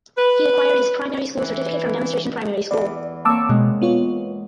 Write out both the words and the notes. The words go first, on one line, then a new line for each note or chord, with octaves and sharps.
He acquired his primary school certificate from Demonstration primary school.
B4
E3
E2 E3 D5
A#3 C4 C#5 A5 D6 E6
B2 G#3
B3 F4 C#5